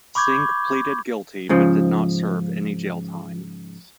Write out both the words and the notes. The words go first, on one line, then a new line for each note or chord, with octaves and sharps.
Cinque pleaded guilty but did not serve any jail time.
B5 C#6 D6 G6 G#6
G#2 C#3 F3